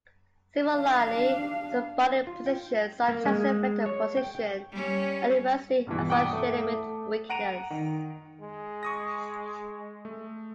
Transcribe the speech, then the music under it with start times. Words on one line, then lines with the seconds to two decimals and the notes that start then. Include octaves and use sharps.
Similarly, some body positions, such as the fetal position, are universally associated with weakness.
0.73 D4 F5
2.27 F4
2.46 G5
3.08 A#3
3.25 G#3
3.86 C#5
4.17 G5
4.72 G3 C#4
5.87 A#1 G2 B2 E3
6.09 F#5 G5 A#5 D6 D#6
6.33 A3
6.58 A3
7.29 F#5 A#5 D7 D#7 F7
7.70 D#3
8.40 G#3
8.83 C#6 D#6 A#6
10.05 A3